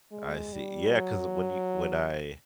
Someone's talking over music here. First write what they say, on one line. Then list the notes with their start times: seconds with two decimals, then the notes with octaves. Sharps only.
I see. Yeah, 'cause when you when I
0.12 G#3
0.53 G3
0.94 F#3